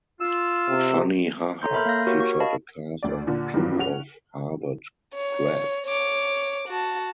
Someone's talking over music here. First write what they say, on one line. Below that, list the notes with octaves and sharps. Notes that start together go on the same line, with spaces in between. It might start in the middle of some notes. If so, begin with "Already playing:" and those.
"Funny Ha Ha" featured a cast and crew of Harvard grads.
F4 E6
C3
A4 C#5 A#5 C6 G6
A#4 E5 B5 C6 F6 G6
A#3 F5 G6 A#6
F#4 G4 A#4 C#5
C#6
D#5 F5 A5 B5
D2 D5
A#2 D3 D4
G2 D#3 E3 F#3
C#4 F#5 F7
C#5
C#5 D6
F#4 A5